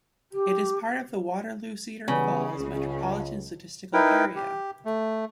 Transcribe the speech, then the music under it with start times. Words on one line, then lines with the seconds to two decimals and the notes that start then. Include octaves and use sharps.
It is part of the Waterloo-Cedar Falls Metropolitan Statistical Area.
0.32 G4
2.08 C#3 E3 G3 B3
2.59 C#2
3.93 D#4 E4 A#4 B4 G5
4.36 G4
4.85 A3